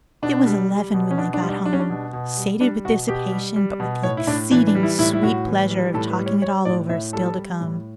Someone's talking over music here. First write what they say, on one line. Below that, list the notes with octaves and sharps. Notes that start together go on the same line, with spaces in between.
It was eleven when they got home, sated with dissipation, but with the exceeding sweet pleasure of talking it all over still to come.
B2 D4
G3
G3
B2
C#4
B2 D4
D4
G3
D4
G3 D4
C#4
D4
B2
B2
G3
G3 D4
B2 F#4
B2 G4
G3
G3
B2
A2 C#5
E4
A2 D4
E3 D4
D4
G3
E4
A2 E4
E4
A2 F#4
E3
G3
A2 A4
B4
G3
C#5
G3 C#5
A2 D5
A2 E5
G3 A4
G3
A2